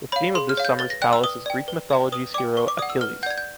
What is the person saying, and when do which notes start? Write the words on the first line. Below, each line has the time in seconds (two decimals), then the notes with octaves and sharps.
The theme of this summer palace is Greek mythology’s hero Achiles.
0.12 C#5 F5 B5
0.35 G#4 C6
0.49 F6
0.57 C#5 F5
0.65 G6
0.79 B4 A6
0.90 A#6
1.02 D5 G5 F#6
1.13 E6
1.23 B4 D#6
1.46 D5 G5
1.68 B4
1.90 D5 G5
2.12 B4 D#6
2.34 D5 G5 D6
2.57 B4 C#6
2.68 D6
2.79 D5 F#5 D#6
2.90 E6
3.01 B4 F6
3.23 F#5 G6
3.26 D5 G#6
3.38 G6